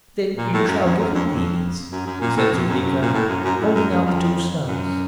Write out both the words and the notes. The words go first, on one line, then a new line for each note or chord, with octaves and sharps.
"Then you shall give him these," said Zuleika, holding out the two studs.
A#2
A2
F#2
F2
F#2
F2
F2
F#2
F#2
A#2
A2
F2
F#2
A#2
A2
F#2
F#2
A2
F#2
F#2
F2
F#2